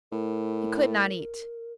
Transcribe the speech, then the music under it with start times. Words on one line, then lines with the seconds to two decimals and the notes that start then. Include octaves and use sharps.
He could not eat.
0.12 A2 A#4